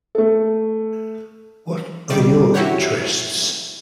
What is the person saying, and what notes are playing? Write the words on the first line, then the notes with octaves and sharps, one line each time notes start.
What are your interests?
A3 A4
D#3 G3 D5 D6
E4 F#4 G4 C#5 F#5